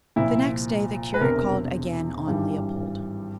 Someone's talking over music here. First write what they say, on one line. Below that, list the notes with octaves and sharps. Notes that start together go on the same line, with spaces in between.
The next day the curate called again on Leopold.
C2 A#2 F3 E4
B4
E1 E2 C3 A#4
G#1 G2 E3 G3